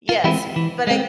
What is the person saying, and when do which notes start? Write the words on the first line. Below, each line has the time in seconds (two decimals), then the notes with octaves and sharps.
Yes, but I
0.09 F4
0.24 E3 G#3 C4 E4 G4
0.56 E3
0.87 G#3 C4